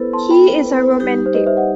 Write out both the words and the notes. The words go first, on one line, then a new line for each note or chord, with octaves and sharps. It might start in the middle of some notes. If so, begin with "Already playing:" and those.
He is a romantic.
Already playing: B3 E4 A4 B4 C5
A5 C6
G5 B5
C5
B4
C5
G3 D#4 G4
C5
B4 D#5
C5 E5
D#5 F#5